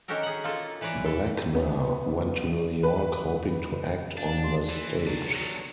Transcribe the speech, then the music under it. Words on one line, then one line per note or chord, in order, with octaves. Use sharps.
Blackmer went to New York, hoping to act on the stage.
D#3 C#4 F#4 G4 A4 A#4
G#4 F#5
A#3 F4 A4
E3 B4 C#5 D5 A#5
A4
B3
B4
D4 F5
G#4 D5 C6
E3
F#3 D4